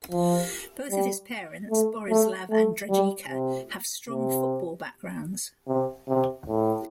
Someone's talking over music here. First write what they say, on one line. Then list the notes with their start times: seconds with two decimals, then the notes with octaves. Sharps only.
Both of his parents, Borislav and Dragica, have strong football backgrounds.
0.11 F3
0.91 G3
1.70 A3
2.10 A3
2.50 A3
2.89 G3
3.29 C3
4.09 C3
5.68 C3
6.08 C3
6.48 A2